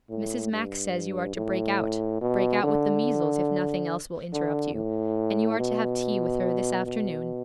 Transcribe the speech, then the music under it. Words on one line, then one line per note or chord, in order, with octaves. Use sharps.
Mrs. Max says you are to break out, break out with the measles if nothing else will interrupt you, and you are to have tea with her this afternoon.'
A2
G2
A2
B2
D3
D3
A2
B2
B2